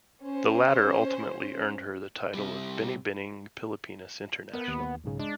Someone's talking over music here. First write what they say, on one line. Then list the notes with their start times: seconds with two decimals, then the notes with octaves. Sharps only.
The latter ultimately earned her the title of Binibining Pilipinas International.
0.22 C#4 C5
2.34 C3 G3
4.53 B3 A#4
4.68 D#2
5.04 B1 G#2 C#3
5.19 G#3 D4